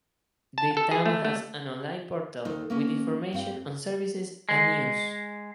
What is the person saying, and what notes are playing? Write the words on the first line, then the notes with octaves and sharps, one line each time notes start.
The town has an online portal with information on services and news.
A5
A4
G#4
A3
A3
D#2 D#4 A4 C5
A#3 B3 C#4
G2 C4 F5
G#3